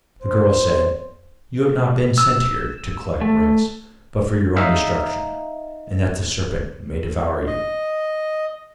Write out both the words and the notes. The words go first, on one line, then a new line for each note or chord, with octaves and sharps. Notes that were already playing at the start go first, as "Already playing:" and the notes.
The girl said: 'You have not been sent here to collect rents, but for your own destruction, and that the serpent may devour you.'
C5
E6
A3
D#4 E5 F5
D#5